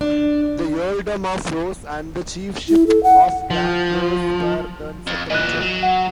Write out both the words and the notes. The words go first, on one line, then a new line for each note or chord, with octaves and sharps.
The earldom of Ross and the chiefship of Clan Ross were then separated.
D4
E4
A4
F#5
F3
F2
A#2 E3 D#5 F#6
F#3
F#5 E7